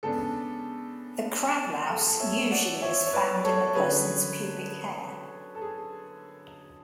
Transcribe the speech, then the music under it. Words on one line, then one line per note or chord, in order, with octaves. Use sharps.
The crab louse usually is found in the person's pubic hair.
C#3 G#3 B3 D4 A4
A4
G#4
A4
C#5 E5
D5 F#5
C#5 E5
C#5
B4 D5
A4 C#5
D3 F#3 C#4 G#4 B4
A4
G#4